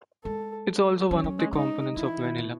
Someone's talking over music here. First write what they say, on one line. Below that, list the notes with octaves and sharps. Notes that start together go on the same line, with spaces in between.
It is also one of the components of vanilla.
G#3 A4
F#3 C#4
F#3
G#3
G#3 D#4
E3 E4
D#3
B2